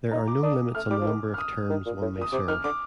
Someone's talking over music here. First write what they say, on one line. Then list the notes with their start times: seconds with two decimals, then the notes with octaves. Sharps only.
There are no limits on the number of terms one may serve.
0.11 D#4 A#5
0.28 D6
0.43 D4 D#6
0.75 A3 F6
0.90 G3 D6
1.00 F3
1.07 D#3
1.34 F6
1.38 D#6
1.70 D#3
1.86 A#2
2.01 A2
2.17 A#2
2.21 D#6
2.32 C3 D6
2.48 D#3 F6
2.64 D3 D6